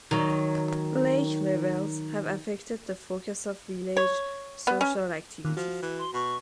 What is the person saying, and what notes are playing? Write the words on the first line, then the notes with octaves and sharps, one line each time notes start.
Lake levels have affected the focus of village social activities.
D#3 F#3
C#5
B3
C#4
A#2 D#3
F3 F#4
E3
C6
B2 C#6